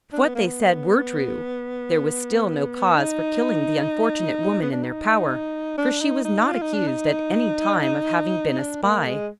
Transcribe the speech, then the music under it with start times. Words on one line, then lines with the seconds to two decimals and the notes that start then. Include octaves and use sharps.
If what they said were true, there was still no cause for killing the unfortunate woman in their power, for she was not accused at any time of having been a spy.
0.13 D4
0.24 B3
0.35 A#3
0.46 B3
2.95 D#4
4.62 B3
4.72 D4
4.84 D#4
5.78 D4
6.01 D#4
6.24 D#4
6.48 F4
6.61 D#4
6.74 D4
6.88 D#4
8.59 D4
8.83 A#3
9.06 G#3